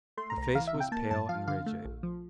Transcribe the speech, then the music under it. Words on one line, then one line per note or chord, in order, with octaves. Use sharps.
Her face was pale and rigid.
A3 C6
A#5
C2
A#5
E3 F5
E5
C3
G5
A#3 A5
G2 A5
F3 F5
D3 F5
A3
A#1
F3